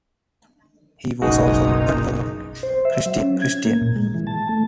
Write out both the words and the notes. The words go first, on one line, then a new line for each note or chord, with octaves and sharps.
He was also a known Christian.
F#1 B1 G#3 D#4 F#4 G#4
C5
E5
F#3
C#4
G#6
A#3
A#2
G#3
E3
A5
A3